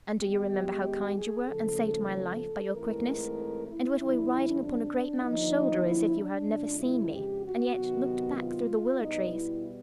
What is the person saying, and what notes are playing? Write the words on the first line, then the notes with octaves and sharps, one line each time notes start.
'And do you remember how kind you were, and saved my life by your quickness, and went away riding upon a great man's shoulder, as if you had never seen me, and yet looked back through the willow-trees?'
G#2 D#3 G#3 B3 G4
G#4
D#2 C#3 F3 A3 A4
A4
G#2 E3 A3 C4 A#4
E4
F2 D3 G3 C4 E4
D4
D#2 D3 F3 D#4
E4
D4
F2 C#3 F3 G#3
E4
G4
F#4
C3 D#3 F#3 B3
F4
B2 G3 B3 D#4
E4